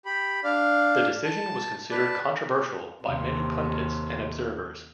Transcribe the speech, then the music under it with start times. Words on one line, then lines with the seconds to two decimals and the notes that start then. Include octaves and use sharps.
The decision was considered controversial by many pundits and observers.
0.05 G4 B5
0.44 D4 D5 F5
1.24 A5
1.91 B4 D5 A5
3.04 D#2 C3